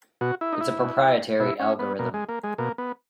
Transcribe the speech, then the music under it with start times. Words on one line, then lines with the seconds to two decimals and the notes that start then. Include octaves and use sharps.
It's a proprietary algorithm.
0.21 B2 F#4
0.41 E4
0.53 D#4
0.61 E4
0.80 B2
1.40 B2 E4
1.60 C#4
1.79 B3
1.99 B2 A#3
2.14 G#3
2.29 A#3
2.43 G#3
2.58 B2 A#3
2.78 B3